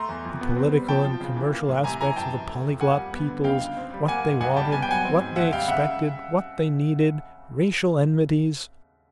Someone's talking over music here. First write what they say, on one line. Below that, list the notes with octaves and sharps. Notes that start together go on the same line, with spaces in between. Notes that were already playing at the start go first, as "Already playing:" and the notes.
The political and commercial aspects of the polyglot peoples, what they wanted, what they expected, what they needed; racial enmities.
Already playing: A3 A#5 C6
E2
F2
B3
C4
G3
F3 G5 A5
F3
C#3
E3
A#3
A2
C3 G#5 A#5
E3 G#5 A#5
F#2 G5 A5
F#2
A3
F2
A#3 F#5 G#5
G3
B3
D3
C#2 F5 G5
C#2
C4
G3
A#3 F#5 G#5
G#2
C2 F#5 G#5
G3 G5 A5
B3 G#5
G5
F#3 F#5 G#5
C4
G#2
D#2 E5 F#5
G3 F5 G5
C#3 E5 F#5